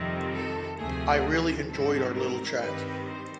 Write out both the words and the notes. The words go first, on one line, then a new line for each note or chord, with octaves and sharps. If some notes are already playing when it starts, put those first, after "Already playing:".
I really enjoyed our little chat.
Already playing: F2 C3 D#3 G3 C4
A4
D2 C3 F3 A3 G#4
G#2 D#3 G3 C4 A4
A#4
G2 D#3 G3 C4 B4
C5